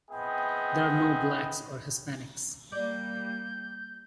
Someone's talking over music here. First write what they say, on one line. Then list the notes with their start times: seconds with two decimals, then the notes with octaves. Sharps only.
There are no blacks or Hispanics.
0.11 B3 C4 E4 G#4 D#5 G5
2.72 G3 A#3 D5 G6